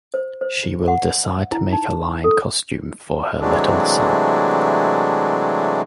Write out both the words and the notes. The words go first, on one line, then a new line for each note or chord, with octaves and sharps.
She will decide to make a lion costume for her little son.
C5
C5
F#5
E4
D#4
A4
C3 E3 F#3 G#3 A3 D4